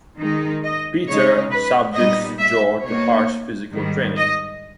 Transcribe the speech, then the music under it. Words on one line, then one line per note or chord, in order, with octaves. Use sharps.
Peter subjects Joe to harsh physical training.
D#3 G#3 D#4
D#5
C#3 G#3 D#4 C#5
B4
A#2 G3 B3 D#4 D#5
E5
B2 A#3 D#4 C#5
G#2 D#3 G3
D#5